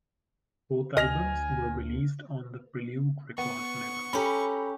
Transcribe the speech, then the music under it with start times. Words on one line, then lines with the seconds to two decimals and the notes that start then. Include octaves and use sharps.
Both albums were released on the Prelude Records label.
0.97 D2 D#5 G#5 F6 A#6 F7
3.38 B3 C#6
4.13 C#4 G4 A4 A#5 B5